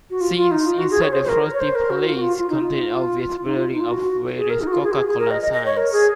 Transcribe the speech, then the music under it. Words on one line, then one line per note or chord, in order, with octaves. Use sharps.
Scenes inside the Frosty Palace contain obvious blurring of various Coca-Cola signs.
F#4
F4
F4
D#4
F4
F#4
G#4
C#5
C5
C5
A#4
C#5
C5
A#4
F#4
F4
F#4
F4
F4
D#4
F4
D#4
F4
D#4
F4
F#4
G#4
A#4
D#4
F#4
F4
G#4
F#4
G#4
G#4
A#4
D#5
D#5
D#5
C#5
A#4
G#4